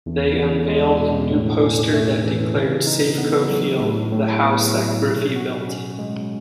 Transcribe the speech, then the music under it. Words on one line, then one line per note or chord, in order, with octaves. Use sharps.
They unveiled a new poster that declared Safeco Field The House That Griffey Built.
E2
E2
G#3
B2
A2
C#4
A3
E3
C#3
D#4
B3
F#3
A2
A2
B3
F#3
B2
F#4
C#4
G#3